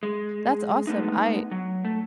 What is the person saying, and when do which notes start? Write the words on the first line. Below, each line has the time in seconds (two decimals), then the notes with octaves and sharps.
That's awesome. I
0.03 G#3
0.87 G#3 A3 B3 D#4
1.51 F#3
1.85 A3